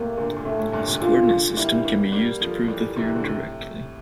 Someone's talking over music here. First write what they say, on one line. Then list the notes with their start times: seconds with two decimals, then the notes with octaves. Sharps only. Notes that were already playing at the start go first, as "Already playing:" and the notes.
This coordinate system can be used to prove the theorem directly.
Already playing: A2 C3 A#3
0.17 A#2 D3
0.36 A#2
0.45 A2 C3 A3
0.59 A2
0.73 G2 A#2
0.87 A2 C3
1.01 A#2 D3 F4
1.28 A#2 D3
1.56 G3 A#3 E4
1.85 G3 A#3
2.12 G3 A#3
2.40 F3 A3
2.60 A3
2.68 E3 G3
2.96 C3 E3
3.08 E3
3.16 D3
3.24 A2 C3